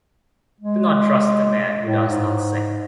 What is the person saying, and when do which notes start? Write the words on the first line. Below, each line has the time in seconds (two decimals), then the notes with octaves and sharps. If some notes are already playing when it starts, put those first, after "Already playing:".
Do not trust a man who does not sing.
0.60 G#3
1.84 A2
2.08 G#2